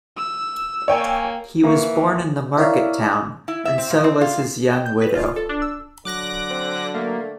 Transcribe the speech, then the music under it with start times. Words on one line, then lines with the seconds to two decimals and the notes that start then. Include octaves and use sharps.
He was born in the market-town, and so was his young widow.
0.17 E6
0.88 A#3 C#5 G5 G#5
1.63 E3 A#3 C#6
2.57 E4 A#4 C#5 D5 E5 F5
3.48 E4
3.65 E5
3.78 C4
3.90 A#2
4.04 C4
4.21 F4
4.71 G5
4.86 G6
5.02 B4
5.15 F4
5.36 A4
5.49 D4
5.62 E6
6.05 D3 F#3 D6 F#6 A#6
6.50 C4
6.94 A3 A#3